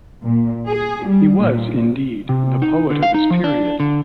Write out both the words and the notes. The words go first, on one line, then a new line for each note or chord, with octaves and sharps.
He was, indeed, the poet of his period.
A#2
G#4
G3
A#2
C3
D#4
D3
F5
D#4
F3
D4
D3